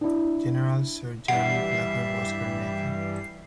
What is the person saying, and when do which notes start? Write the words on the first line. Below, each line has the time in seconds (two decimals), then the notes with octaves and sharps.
General Sir Jeremy Blacker was her nephew.
0.01 D4 E4
1.28 G2 E3 G3 E5 F#5 C7